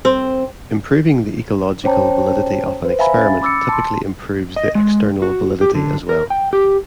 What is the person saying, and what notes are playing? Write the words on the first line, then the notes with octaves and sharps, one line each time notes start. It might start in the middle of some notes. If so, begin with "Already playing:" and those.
Improving the ecological validity of an experiment typically improves the external validity as well.
C4
C#4 C5 C#5 G5 A5 A#5
B4 C5
E5 F5 G#5 A#5 B5
C#4 A6
B5 D6 E6 A6 C#7
A5 C6
D#5
G#3
F#4
G4
D3
A#4
G5
G4